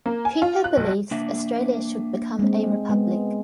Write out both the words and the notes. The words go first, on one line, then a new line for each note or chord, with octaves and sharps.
Cooper believes Australia should become a republic.
A#3
G#5
F4
F#6
B1
A#3 D4 E5
G#3 C4
G#3 B3